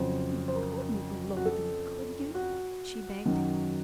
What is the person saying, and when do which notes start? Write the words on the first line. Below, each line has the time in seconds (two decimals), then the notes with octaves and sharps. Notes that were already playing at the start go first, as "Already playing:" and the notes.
"You couldn't loathe me, could you?" she begged.
Already playing: F2 C#3 F#3 C5
0.48 C5
0.55 A#4
1.36 F#4
1.45 A4
2.35 F#4
3.25 F#2 D#3 F#3